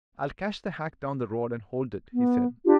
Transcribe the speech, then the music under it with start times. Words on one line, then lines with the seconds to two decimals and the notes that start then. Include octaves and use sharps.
"I'll catch the hack down the road and hold it," he said.
2.14 B3
2.65 D4 F4 G4